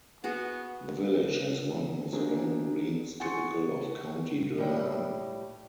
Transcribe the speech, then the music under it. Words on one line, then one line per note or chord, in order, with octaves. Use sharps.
The village has one of the long greens typical of County Durham.
B3 F#4 G#4
F#3 A#3 C4 D4 D#4 G#4
F#5 G#5 C6 C#6 A6 C#7
A2 G3 G5